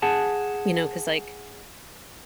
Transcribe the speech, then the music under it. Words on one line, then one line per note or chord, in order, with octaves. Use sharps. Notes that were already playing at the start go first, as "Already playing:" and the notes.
you know, 'cause like
G#4 F#5 A5